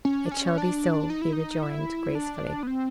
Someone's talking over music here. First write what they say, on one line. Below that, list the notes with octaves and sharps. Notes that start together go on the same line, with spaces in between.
"It shall be so," he rejoined, gracefully.
C#4
D4
C#4
D4
D#4
E4
D#4
E4
D4
B3
C4